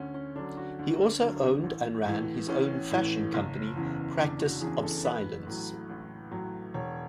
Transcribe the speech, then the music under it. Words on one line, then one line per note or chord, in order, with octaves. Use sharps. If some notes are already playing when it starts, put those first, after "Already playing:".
He also owned and ran his own fashion company Practice of Silence.
Already playing: D2 C#4
C#4
D3 F#3 D4
F#4
D2
D3 F#3
A1
A2 E3
A1 C#4
A2 E3
F#1
E2 C#3 E3
F#1 D4
F#4
E2 C#3 E3 G#4
A4
A1 B4
A2 F#3
A1
A2 F#3
E1 C#5